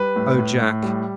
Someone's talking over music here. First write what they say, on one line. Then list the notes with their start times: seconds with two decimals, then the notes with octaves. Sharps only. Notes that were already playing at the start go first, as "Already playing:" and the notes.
"Oh, Jack!"
Already playing: G3 B4
0.16 A2
0.39 A2
0.61 A2
0.83 G3